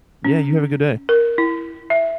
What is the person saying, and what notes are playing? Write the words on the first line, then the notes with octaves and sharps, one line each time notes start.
Yeah. You have a good day.
C#4
A#4
E4
E5